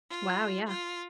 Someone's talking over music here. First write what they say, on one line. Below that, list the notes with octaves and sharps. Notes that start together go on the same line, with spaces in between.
Wow, yeah.
F4
F4